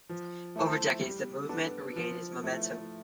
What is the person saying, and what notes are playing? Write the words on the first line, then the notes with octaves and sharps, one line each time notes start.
Over decades, the movement regained its momentum.
F3
A3 E4 A4 C5
G3
B3 D4 A4
F3
A3 E4